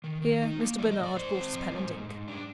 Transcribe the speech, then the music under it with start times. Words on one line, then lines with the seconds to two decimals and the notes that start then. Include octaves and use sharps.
Here Mr. Bernard brought us pen and ink.
0.04 D#3
0.22 D#3
0.41 D#4
0.59 A#3
0.78 F3 D5
0.91 D#5
0.97 G#2
1.03 D5
1.16 G#2 C5
1.35 C4
1.53 F3
1.72 G#2
1.90 G#2
2.09 G#2
2.28 D4